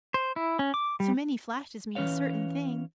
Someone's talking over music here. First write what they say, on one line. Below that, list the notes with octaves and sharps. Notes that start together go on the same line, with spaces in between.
So many flashes mean a certain thing.
C5
E4
C#4
D6
G3
E3 C#4 B4 C#5 F5